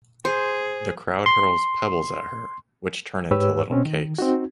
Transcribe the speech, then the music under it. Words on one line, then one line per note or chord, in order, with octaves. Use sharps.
The crowd hurls pebbles at her, which turn into little cakes.
G#4 C5
C6
G#2 G4 B4 C#5 E6
B2 C4 C#4
D#3
C4 D#4 F#4